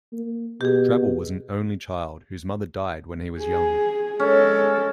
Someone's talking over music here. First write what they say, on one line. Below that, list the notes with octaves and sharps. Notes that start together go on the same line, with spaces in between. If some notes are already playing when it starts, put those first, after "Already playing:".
Drabble was an only child, whose mother died when he was young.
A#3
B2 G4 G#4
G#4
G#3 C#4 A4